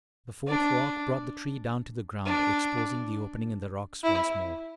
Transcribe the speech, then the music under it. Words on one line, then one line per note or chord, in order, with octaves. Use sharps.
The fourth rock brought the tree down to the ground, exposing the opening in the rocks once more.
D4
D4
E4